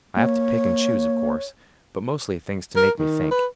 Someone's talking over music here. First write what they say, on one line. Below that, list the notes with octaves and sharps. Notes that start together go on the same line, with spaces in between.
I have to pick and choose, of course, but mostly things to make me think.
A#3 C#5
A#4
D#3
B4